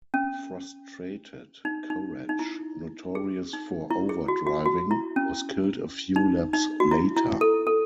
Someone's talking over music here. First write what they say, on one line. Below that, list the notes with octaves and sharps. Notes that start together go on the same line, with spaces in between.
Frustrated, Courage, notorious for overdriving, was killed a few laps later.
C#4
D#4
D#4
D#4
E4
G#4
D#4
E4
G#4
F#4
F#4
F#4
E4
C#4
D#4
D#4
F#4
E4
E4
A4
A4